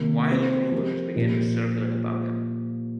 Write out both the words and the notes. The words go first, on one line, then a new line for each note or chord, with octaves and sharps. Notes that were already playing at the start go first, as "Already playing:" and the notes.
Wild rumors begin to circulate about him.
Already playing: C3 D#3 A#3
G3 C4 G4
F3 C4 G4 A#4
A#2 F3 D#4 G4 A#4